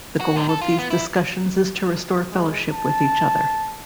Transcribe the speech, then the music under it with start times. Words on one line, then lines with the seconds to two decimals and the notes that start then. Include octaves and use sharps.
The goal of these discussions is to restore fellowship with each other.
0.20 F#4
0.36 A2 D3
0.49 A4
0.61 F4
0.78 B3
0.90 E4
2.31 G#3
2.72 A5